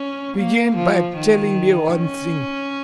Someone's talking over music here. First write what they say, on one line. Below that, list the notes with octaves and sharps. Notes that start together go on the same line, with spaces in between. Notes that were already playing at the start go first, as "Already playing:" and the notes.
Begin by telling me one thing.
Already playing: C#4
A#3
F3
D#3
C#4